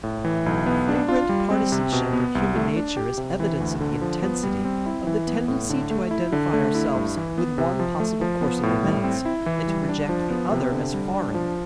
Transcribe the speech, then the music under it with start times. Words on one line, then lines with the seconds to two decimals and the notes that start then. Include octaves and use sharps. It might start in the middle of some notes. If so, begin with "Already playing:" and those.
But the flagrant partisanship of human nature is evidence of the intensity of the tendency to identify ourselves with one possible course of events, and to reject the other as foreign.
0.04 A2
0.25 E3
0.46 B1
0.66 B3
0.88 D4
1.08 F4
1.29 G3
1.51 C4
1.72 C3
1.93 B2
2.13 B3
2.35 C2
2.56 A3
2.76 D4
2.97 G4
3.18 C3
3.40 E3
3.60 D2
3.80 D3
4.01 F3
4.22 B3
4.43 G3
4.65 C4
4.86 E4
5.07 E3
5.27 B3
5.48 A2
5.70 D3
5.91 A3
6.11 E4
6.32 D3
6.53 A3
6.75 E4
6.95 G2
7.17 E3
7.38 B3
7.58 C3
7.79 F3
8.00 A3
8.21 F3
8.41 B3
8.63 A2
8.83 G3
9.04 C4
9.25 E4
9.46 E3
9.67 G3
9.89 D4
10.09 F3
10.30 B3
10.52 C3
10.72 D3
10.94 G3
11.13 D4
11.34 F3